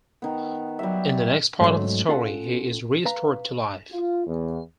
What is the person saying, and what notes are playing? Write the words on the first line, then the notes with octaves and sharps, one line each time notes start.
In the next part of the story he is restored to life.
D#3 B3
F#3 G3 E5
G#2 F#3 A3 C#4 G#4 C6
C#4 F4 A4 F5 F#5 A5
B4 F5 A#5
F4
E2